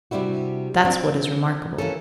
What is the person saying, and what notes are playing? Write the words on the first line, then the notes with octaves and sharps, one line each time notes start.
That's what is remarkable.
C3 G3 D4 E4 F#4
C4 D4 F4 C5
E3 A#3 C#4 A4